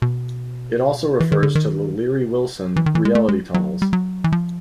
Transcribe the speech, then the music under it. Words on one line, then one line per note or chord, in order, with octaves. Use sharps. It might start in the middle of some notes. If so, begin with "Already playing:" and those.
It also refers to the Leary-Wilson reality-tunnels.
B2
E3
D#3
D3
D#3
E3
D#3
E3
G#3
A3
G#3
F#3
G3
F#3
E3
F3